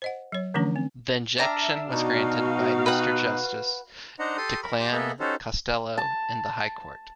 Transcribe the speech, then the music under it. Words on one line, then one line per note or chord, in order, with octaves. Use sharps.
The injunction was granted by Mr Justice Declan Costello in the High Court.
C5 D#5 F#5
F#3 C#5
D3 E3 F3 A3 C#4 D4
C4
D4 E5 A#5 F6
B2 D#4 F#4 F5
B4 F#5
D4 D#4 C5 D#5 F#5 A#5
G4 A4 C6 D#6
A#4 B5
G4 C6 D6
A#3 B3 G#4 A4 D#5 E5
C#4 D#4 F#4 G4 A4 C5
A5